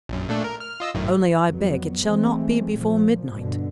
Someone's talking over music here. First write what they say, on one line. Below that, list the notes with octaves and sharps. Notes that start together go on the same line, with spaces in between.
"Only I beg it shall not be before midnight."
A#1 F#2
A#2 A3 D4
A#4
F6
F4 D#5 E6
G#1 F#2 A2
F2 F#3 B3
E3 G#3 A3 C4
A#2 F3
G2 B2 D3